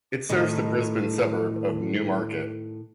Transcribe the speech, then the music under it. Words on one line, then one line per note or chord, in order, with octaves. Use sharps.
It serves the Brisbane suburb of Newmarket.
A2 D#3 A3